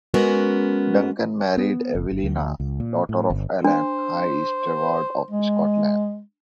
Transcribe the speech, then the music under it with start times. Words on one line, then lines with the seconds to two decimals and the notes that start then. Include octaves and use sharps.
Duncan married Avelina, daughter of Alan, High Steward of Scotland.
0.14 G#3 B3 C#4 F#4 A#4
1.57 B3
1.95 F#1
2.11 G1
2.24 D2
2.60 C#2
2.80 A#2
3.09 A2
3.30 G1
3.64 D4 C5
5.31 G#3